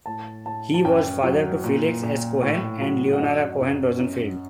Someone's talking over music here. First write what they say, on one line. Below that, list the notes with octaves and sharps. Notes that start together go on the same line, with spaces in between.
He was father to Felix S. Cohen and Leonora Cohen Rosenfield.
A2 A5
A2 A5
A5
F#2 G5
F#3
A#2
A#2
A2
F#3
F#5
F#2 D#5
F#2
F#2